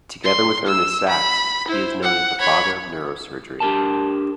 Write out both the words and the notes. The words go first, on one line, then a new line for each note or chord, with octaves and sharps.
Together with Ernest Sachs, he is known as the father of neurosurgery.
C6
E6
B5
E4 C5
F#5
C#5 B5
D4 G4 A#4 A5